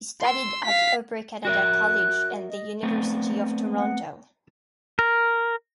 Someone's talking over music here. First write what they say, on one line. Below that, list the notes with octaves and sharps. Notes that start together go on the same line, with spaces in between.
He studied at Upper Canada College and the University of Toronto.
C6 E6
F5 B6
F#4 A#4 E5 F#6
D#5
A3 B3 C4 D5
F#5
A#4